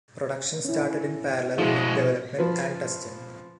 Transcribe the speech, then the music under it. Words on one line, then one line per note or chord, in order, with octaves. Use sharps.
Production started in parallel with development and testing.
C#4 E4
B2 F3 G#3 E4 F#4 G#4
F3 B4